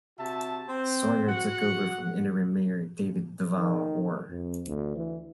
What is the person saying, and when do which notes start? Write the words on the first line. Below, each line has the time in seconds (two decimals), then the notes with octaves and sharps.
Sawyer took over from interim mayor David Duvall Orr.
0.19 C3 F#4 E5 A5
0.67 C4 C5
1.27 F#4 F#5
3.58 D#3
4.30 F2
4.67 D2
4.96 E3